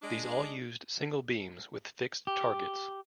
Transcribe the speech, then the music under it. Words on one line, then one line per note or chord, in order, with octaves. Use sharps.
These all used single beams with fixed targets.
G#3 D4
G4